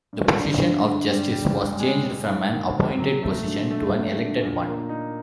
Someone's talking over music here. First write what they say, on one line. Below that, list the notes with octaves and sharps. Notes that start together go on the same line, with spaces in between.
The position of justice was changed from an appointed position to an elected one.
G2
G2
D3
D3
G3
G3
G#3
G#3
G#3
G#2
D#3
C4
F#3
A3
D3
A3
A3
D3
A#2
A#3
D#4